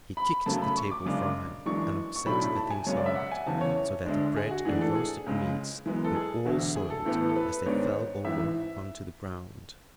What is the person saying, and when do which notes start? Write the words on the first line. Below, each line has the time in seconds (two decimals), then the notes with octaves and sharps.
He kicked the table from him and upset the things on it, so that the bread and roasted meats were all soiled as they fell over on to the ground.
0.17 B5
0.46 F#2 C#3 F#3 A3 A5
0.62 B5
0.77 C#6
0.91 D6
1.06 F#2 C#3 G#3 D4 D6
1.66 F#2 E3 G#3 D4 C#6
2.16 C#6
2.26 B1 A2 F#3 A3 D4 B5
2.41 B5
2.55 A5
2.70 G#5
2.87 F#2 C#3 G#3 C#4 C#5
2.97 D5
3.06 E5
3.15 F#5
3.32 G#5
3.46 F#1 E2 C#3 A5
3.61 C#5
4.05 D2 D3 G#3 D4
4.36 G#4
4.51 F#4
4.65 G#2 E3 A3 D4 G#4
4.81 A4
4.95 G#4
5.26 C#2 C#3 G#3
5.86 F#2 E3 G#3 B3
6.05 A4
6.16 G#4
6.45 E1 D2 D3 F#4
6.76 G#4
6.90 A4
7.05 A1 A2 E3 B3
7.29 A4
7.36 B4
7.66 G#1 G#2 G#3 B3 D4 C#5
8.25 A1 G#2 E3 E5